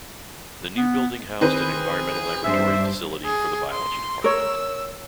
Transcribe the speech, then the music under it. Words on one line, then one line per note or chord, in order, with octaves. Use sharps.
The new building housed an environmental laboratory facility for the Biology Department.
B3
D#3 C4 G#4 B4
G2 D4 C5 E5
G#4
C6
A#4 C#5 E6